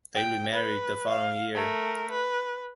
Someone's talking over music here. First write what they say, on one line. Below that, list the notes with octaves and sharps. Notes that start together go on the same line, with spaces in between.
They remarried the following year.
G5
B4
F5
A3 A#4
B4